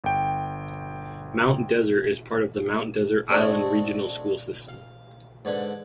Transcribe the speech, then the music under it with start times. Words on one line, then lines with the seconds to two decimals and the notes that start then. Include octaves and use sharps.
Mount Desert is part of the Mount Desert Island Regional School System.
0.04 G1 G5
3.29 G#3 A3 C4 D4 F#4 G#4
4.68 F5
5.45 G#2 D3 B4 G#5